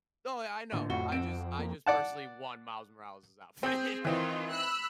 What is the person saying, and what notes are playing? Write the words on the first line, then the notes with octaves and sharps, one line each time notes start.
No, I I know. I just I just personally want Miles Morales' outfit.
A1 A#2 D3
F2 A2 F#4 G7
C4 F#5 D7
A#3
D5 F#5 A5
C4 G#4 G6
D#3 E3 C4 F4
B5 E6 F#6